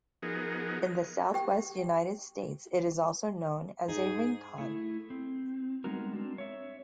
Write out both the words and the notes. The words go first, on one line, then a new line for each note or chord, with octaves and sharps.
In the southwest United States it is also known as a rincon.
F3 B3 D#4 F#4 G#4 A#4
G4 G5
G#2 D#4 G#4
A3 E4
C4
G3 G#3 B3 D#4 F#4 A#4
C4 D4
C#5 E5